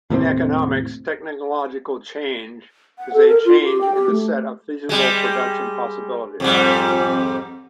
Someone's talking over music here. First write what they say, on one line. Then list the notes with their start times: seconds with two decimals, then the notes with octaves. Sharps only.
In economics, technological change is a change in the set of feasible production possibilities.
0.10 D#2 A2 C3 C4
2.99 F#5
3.13 A4
3.28 A#4
3.45 F4
3.64 G4
3.81 G5
3.95 G4
4.10 A3
4.89 G3 G#3
6.40 F2 G#2 G3